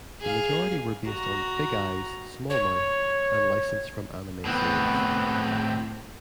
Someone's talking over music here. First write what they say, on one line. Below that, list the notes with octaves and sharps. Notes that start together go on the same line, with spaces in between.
The majority were based on "Big Eyes, Small Mouth" and licensed from anime series.
G#4 F5
F#4 A#5
C#5
A2 B3 C4